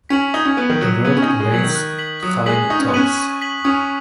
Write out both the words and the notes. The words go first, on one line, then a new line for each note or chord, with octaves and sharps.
The work weighs five tons.
C#4 B6 F#7
D#4 G#6
C#4
B3 D#7 F#7
D#3
F#3 D#6
F#3
B3 G#6 D#7 F#7
C#4
D#4
C#4 C#6
G#3
F#3 G#6 B6 F#7
D#3
F#6
B6 F#7
F#3 D#6
G#3 B6 F#7
D#4 C#6
C#4
B3
C#4 F#6 B6 D#7 F#7
C#6
B6 F#7
C#4 D#6